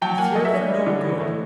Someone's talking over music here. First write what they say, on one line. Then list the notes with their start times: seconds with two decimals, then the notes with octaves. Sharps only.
He's here for no good.
0.02 F#3 G5 A5
0.18 A#3 F#5 G#5
0.35 F#3 D#5
0.45 E5
0.53 D4 C#5 D#5
0.69 G3
0.87 D3
1.04 E3
1.21 A3